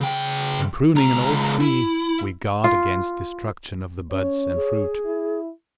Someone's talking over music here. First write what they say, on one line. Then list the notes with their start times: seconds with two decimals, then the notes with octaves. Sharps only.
In pruning an old tree, we guard against destruction of the buds and fruit.
0.01 C#3 G5
0.96 C#2 A#5
1.60 E4
2.64 F4
4.11 C#4 C#5
4.56 G#4
5.05 E4